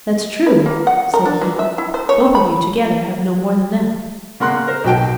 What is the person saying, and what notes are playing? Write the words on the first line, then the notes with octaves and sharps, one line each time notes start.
"That's true," said he, "both of you together have no more than that."
B4
A#3
F#5
A#4
D4
E3
E5
E4
C5
C#5
C4
B5
C#3 A#3 F#5 C6 F#6
A#4 C5
B1 F#3 F#4 G5 A5